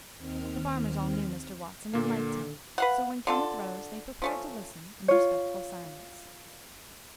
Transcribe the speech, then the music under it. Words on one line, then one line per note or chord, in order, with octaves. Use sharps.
The farmers all knew Mr. Watson, and liked him; so when Kenneth rose they prepared to listen in respectful silence.
D#2 D#3 C4 F6
A#2 D3 A#3
B4 F5 F#5
D3 F4 A4
F3 A3 C#4
F4 C#5